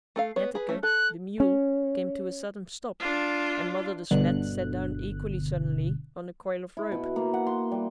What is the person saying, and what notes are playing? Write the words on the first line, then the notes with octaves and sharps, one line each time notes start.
Netteke, the mule, came to a sudden stop, and Mother De Smet sat down equally suddenly on a coil of rope.
A3 A4 F5
B3 C#5
G#4 B4
A3 C#4
A4 F#6
C#4
D4 F4
G1 B2 D3 F#6
E4
B2
A#3
F#5
C6
G3